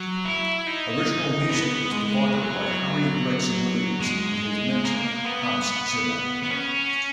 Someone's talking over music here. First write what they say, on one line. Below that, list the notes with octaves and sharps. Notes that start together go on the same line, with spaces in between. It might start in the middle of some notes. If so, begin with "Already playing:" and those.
Original music was provided by Harry Gregson-Williams and his mentor Hans Zimmer.
Already playing: F#3
E4
D#4
B3
G#3
F#3
G#3
A#3
B3
B3
C#4